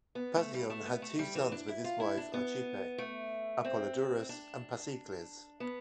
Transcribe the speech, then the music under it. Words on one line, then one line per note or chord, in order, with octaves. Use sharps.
Pasion had two sons with his wife Archippe: Apollodorus and Pasikles.
B3
A3
G3
A3
B3
A3
G3
E3
D4
E4
F4
E4
D4
B3
A3
C4
D4
B3